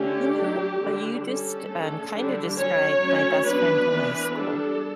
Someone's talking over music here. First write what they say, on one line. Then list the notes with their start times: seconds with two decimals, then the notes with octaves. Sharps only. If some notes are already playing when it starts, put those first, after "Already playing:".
You know, uh you just, um, kinda described my best friend from high school.
Already playing: D3 A3 C#4 G4
0.36 F#3 A3 D4
0.80 D3 G3 D4
1.24 G3 C#4 A4
1.68 D3 A3 C#4
2.13 D3 G3 D4
2.57 F#3 C#4 C#5
3.01 F#3 A3 C#4
3.45 F#3 B3 D4 B4
3.89 E3 B3 D4
4.33 G3 D4 A4